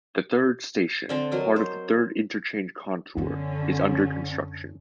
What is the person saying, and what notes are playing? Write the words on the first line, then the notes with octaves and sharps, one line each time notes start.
The third station, part of the Third Interchange Contour, is under construction.
D3 C4 A4
F#3 A#4 D#5
C5
F#2 D3 B3 C#4